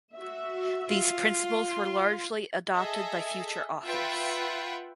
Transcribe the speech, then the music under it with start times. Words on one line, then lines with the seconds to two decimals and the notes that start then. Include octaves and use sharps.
These principles were largely adopted by future authors.
0.15 F#4 E5
0.89 F4
1.36 C6
2.74 G#4 A4 D#5 E5
3.86 F4 B4 E5 F#5 G5